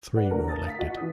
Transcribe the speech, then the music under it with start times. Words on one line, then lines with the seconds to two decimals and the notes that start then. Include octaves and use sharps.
Three were elected.
0.16 B4 D5 F#5
0.31 D3 A3 A#4
0.48 A5 D#6 A6 A#6
0.66 F5 B6
0.78 F4 F#4 D#5
0.97 E3 D#6